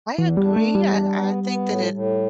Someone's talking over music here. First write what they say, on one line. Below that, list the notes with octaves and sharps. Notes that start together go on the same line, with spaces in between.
I agree I I think that it
E2 E3
G3
D4
A3
E2
G3
D4
B3
B3
A2
A2